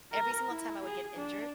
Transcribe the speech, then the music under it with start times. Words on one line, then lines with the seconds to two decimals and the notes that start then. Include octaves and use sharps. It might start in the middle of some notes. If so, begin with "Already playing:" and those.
every single time, I would get injured
0.12 A#4
0.48 E4
0.85 G#4
1.17 D4